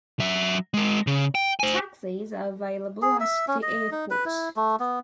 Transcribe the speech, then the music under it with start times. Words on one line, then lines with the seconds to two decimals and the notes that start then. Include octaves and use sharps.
Taxis are available at the airport.
0.20 F#3 E5
0.74 G#3 A#4
1.07 C#3
1.35 G5
1.60 C5 G#5
3.02 G#4
3.20 E5
3.48 C#4
3.62 D#5
3.92 D#4
4.11 B4
4.26 E4
4.56 A3
4.80 B3